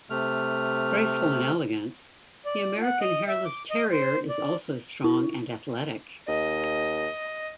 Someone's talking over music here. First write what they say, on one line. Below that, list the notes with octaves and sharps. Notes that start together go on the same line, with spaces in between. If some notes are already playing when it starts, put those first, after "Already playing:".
Graceful and elegant, the American Hairless Terrier is also strong and athletic.
C3 A3 F6
D5
F#5
D#5
E5
D6
D#5
C5
D5
E4
D#2 D#5